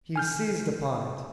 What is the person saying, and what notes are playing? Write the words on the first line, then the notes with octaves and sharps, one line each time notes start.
He seized upon it.
G#5 F6 G6